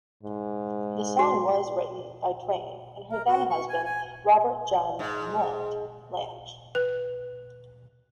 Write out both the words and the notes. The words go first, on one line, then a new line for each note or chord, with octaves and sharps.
The song was written by Twain and her then-husband, Robert John "Mutt" Lange.
G#2
F#4
A#4
F#4
C#6
G#5
G#5
G#2
B4